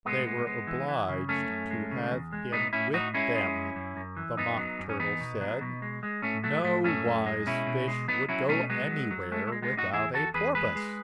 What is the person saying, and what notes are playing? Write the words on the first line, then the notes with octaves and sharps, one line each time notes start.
'They were obliged to have him with them,' the Mock Turtle said: 'no wise fish would go anywhere without a porpoise.'
A2 G#3 B3
G#3
G#3
E3
E3
C#3
F#2 A3 C#4
F#2
G#3
C#3
E2
G#3
A2 B3 D#4
A2 C#4 E4
A2 D#4 F#4
G#3 C#4 E4
G#3
F#2
F#2
F#2
E3
F#2 B3 D#4
F#3
F#2
C#4
E2 B3 D#4
B2
F#3
B2
G#3
G#3
A2 A3 C#4
F#3 A3
A2 A3
F#2 A3 C#4
F#2
G#3
B2 C#4 E4
B2
G#3
F#3 B3 D#4
F#3 C#4 E4
B2 A3 C#4
F#3 G#3 B3
F#3
F#3
G#3 A3
A3
G#3
G#3 B3
A2
D#4 F#4
E2 E4 G#4
E2 F#4 A4
E2 G#4 B4
G#3 G#4 B4
G#3